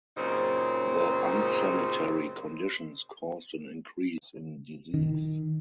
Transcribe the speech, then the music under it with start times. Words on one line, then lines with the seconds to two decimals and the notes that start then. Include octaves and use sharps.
The unsanitary conditions caused an increase in disease.
0.17 F#2 A#2 C#3 C4 D#4 A#4
4.94 D#3